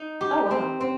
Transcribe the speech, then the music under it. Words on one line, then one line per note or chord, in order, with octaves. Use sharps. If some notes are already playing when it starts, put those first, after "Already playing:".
Oh, wow.
Already playing: D#4
G4
C4
C4